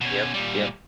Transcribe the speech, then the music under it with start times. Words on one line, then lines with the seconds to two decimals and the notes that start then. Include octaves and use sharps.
Yep, yep.
0.01 B2 C#4
0.34 A#2 G3